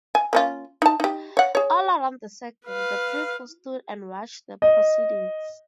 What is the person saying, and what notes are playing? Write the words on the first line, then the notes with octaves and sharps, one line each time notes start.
All around the circle, the people stood and watched the proceedings.
G#5
A#3 C#4 F4
D#4 A5
D#4 G4
C#5 F#5
G#4 C#5
B4 F5
D#5